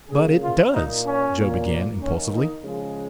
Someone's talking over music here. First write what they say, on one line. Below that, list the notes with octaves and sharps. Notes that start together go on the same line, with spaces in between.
"But it does"--Joe began, impulsively.
C#3 A#3 G#4
F4
A#2 A#3 D#4
C#4
A#2 A#3
D#3 A#3 C#4
D#4
C#3 F3 G#3